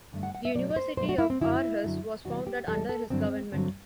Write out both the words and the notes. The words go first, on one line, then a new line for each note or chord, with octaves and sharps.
The University of Aarhus was founded under his government.
G2 D3 A3
F#5
F#5
E5
B2 F#3 A3 D5
D5
C5
B2 F#3 A3 C5
F#4
E4
C4
F#2 D3 F#3 E4
F#2 D3 F#3
E2 C3 E3 G3 F#4
G4
E2 C3 E3 G3 A4
A4
G2 D3 F#3 C4
G2 D3 F#3 C4